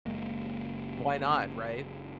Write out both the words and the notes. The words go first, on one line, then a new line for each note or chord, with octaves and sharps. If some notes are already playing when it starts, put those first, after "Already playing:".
Why not, right?
F#1 G#3 A#3